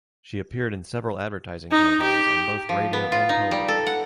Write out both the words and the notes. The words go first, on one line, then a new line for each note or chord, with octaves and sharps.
She appeared in several advertising campaigns on both radio and television.
D#4
G4
F3
B3
F4
D#4
G3
A4
F#5